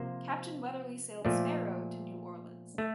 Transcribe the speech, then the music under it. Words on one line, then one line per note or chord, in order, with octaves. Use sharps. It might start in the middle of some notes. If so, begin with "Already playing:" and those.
Captain Weatherly sailed "Sparrow" to New Orleans.
Already playing: C3 F3 A#3 C5
A#2 F3 A3 D5
A3